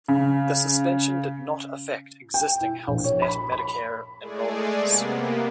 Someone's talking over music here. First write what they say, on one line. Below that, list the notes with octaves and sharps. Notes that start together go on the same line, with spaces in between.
The suspension did not affect existing Health Net Medicare enrollees.
C#3
G5
E4
A#1
C#5
B5
B5
G#3 A3 G#4 D5
C3 A#3 B3